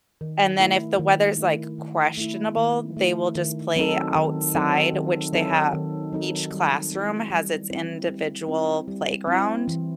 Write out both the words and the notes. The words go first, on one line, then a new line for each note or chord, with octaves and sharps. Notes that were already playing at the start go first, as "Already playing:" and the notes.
and then if the weather's, like, questionable, they will just play outside, which they have each classroom has its individual playground,
D#3
A3 E4
D#3
A3 E4
D#3
A3 E4
D#3
A3 E4
D#3
F#3 C4 D#4 A4
D#3
F#3 C4 D#4 A4
D#3
F#3 C4 D#4 A4
D#3
F#3 C4 D#4 A4
G3
C4 E4
G3
C4 E4
G3
C4 E4
G3
C4 E4
E3